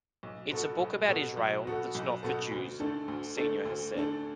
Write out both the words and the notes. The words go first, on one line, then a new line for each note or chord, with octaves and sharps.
"It's a book about Israel that's not for Jews," Senor has said.
B1
B2 B3 F#4 A4
B1
B2 B3 F#4 A4
B1
B2 B3 F#4 A4
B1
B2 B3 F#4 A4
D2
D3 A3 D4 A4
D2
D3 A3 D4 A4
D2
D3 A3 D4 A4